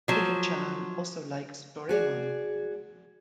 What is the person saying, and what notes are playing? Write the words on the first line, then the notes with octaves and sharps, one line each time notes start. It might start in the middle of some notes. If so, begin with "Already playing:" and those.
Licca-chan also likes "Doraemon".
F3 F#3
F#4 G#4 D5